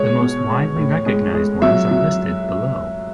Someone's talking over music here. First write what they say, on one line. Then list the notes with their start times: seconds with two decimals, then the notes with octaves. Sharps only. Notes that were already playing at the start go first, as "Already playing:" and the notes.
The most widely recognized ones are listed below.
Already playing: G#3 C#5
0.20 B2
0.48 G#3
0.76 A2
1.06 G#3
1.34 G#3
1.62 F#3 E5
1.91 F#3